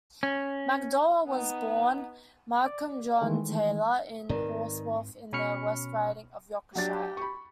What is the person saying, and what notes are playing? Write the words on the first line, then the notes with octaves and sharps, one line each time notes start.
McDowell was born Malcolm John Taylor in Horsforth in the West Riding of Yorkshire.
C#4
B3 D#4
D5
D#3 E3 G#3 A3
G#2 D#3 C4 A#4 B4 D5
B2 C#4 B5 C#6 F6 C#7
F#3 D4 G4 A6
B5 C#6